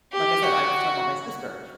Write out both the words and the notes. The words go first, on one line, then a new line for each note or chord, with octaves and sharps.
like I said, I was talking about my sister.
G4
F#4